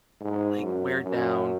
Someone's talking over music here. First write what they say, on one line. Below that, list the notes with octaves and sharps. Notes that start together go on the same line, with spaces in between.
like wear down,
G#2
F#2
F#2